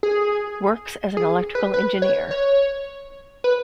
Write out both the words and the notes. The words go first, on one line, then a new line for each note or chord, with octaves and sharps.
Works as an electrical engineer.
G#4
G#4
B4
B4
C#5
C#5
B4